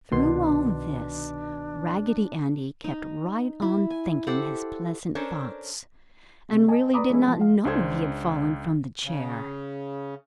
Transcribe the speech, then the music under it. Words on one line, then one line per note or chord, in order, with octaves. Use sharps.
Through all this Raggedy Andy kept right on thinking his pleasant thoughts, and really did not know he had fallen from the chair.
C2 B2 D#3 D4 C6
D#4
E4
G#5
G4 A4 C5 F#5
C#4 D4 A4 A#4 C5 C#5
C3 G#3
D#5 G#5 A5
B4 D5 A#5 B5 D6 D#6
E3 G#3 A3 C#4 E4
F3
F5
C#2 D4 C5 G#6
C#3